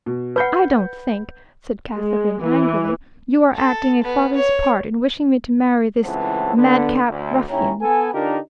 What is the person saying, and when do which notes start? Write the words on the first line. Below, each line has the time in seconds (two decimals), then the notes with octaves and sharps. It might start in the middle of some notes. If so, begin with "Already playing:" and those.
"I don't think," said Katharine, angrily, "you are acting a father's part in wishing me to marry this mad-cap ruffian."
0.06 B2
0.36 B4 F#5 B5 G6 C#7
1.96 G#3
2.43 E3
3.54 A4
4.03 B3
4.35 C#5
6.04 C#2 A2 E3 C4 F#5 A5
6.56 D3 B3
7.09 D2
7.49 D#2 C#4 E4 C#5 G5 A#5
7.81 B3 A4 G#5
8.13 D3 D4 D#4 F4 G4 A#4